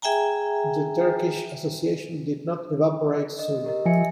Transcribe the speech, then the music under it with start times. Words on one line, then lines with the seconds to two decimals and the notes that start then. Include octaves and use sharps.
The Turkish association did not evaporate soon.
0.02 G#4 E5 G5 G#5 A#5
3.39 D#5
3.64 G4 A#4 D#5
3.85 F3 E5 G#5 C#7